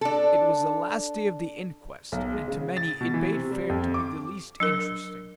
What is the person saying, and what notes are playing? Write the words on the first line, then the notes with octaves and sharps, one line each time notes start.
It was the last day of the inquest, and to many it bade fair to be the least interesting.
D4 A4
B1
G#3
C#3
A6
B2
E3
C3
G3
F2
D6
F#3 D4 A#4